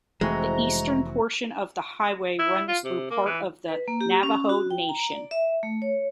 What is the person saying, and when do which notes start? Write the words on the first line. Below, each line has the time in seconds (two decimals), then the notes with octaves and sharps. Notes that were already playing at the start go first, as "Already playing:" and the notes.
The eastern portion of the highway runs through part of the Navajo Nation.
0.21 F1 E3 G#3 A3 C4 E4 F#4 A#5
2.39 E4
2.68 F4
2.84 C3
3.10 A#3
3.26 E3
3.68 B4
3.88 A#3
4.01 G4
4.23 C#4
4.49 F#4
4.71 G5
4.89 A#5
5.12 D5
5.31 E5
5.63 A3
5.82 C#5